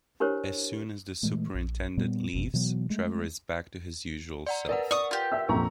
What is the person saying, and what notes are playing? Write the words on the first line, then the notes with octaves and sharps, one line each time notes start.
As soon as the superintendent leaves, Trevor is back to his usual self.
D4 E4 G4 A#4 C5 C#5
A#2 E3 G#3 A3
A#1
A#2 G3 B3
F#1 E2 B2
B2 E3 F#3 B3
G#3 A3
D5 F#5 A#5
A#4 B4 D5 F#5
D5 C#6 D#6
F4 G4
E5 E6
A#1 F2 A#5 C#6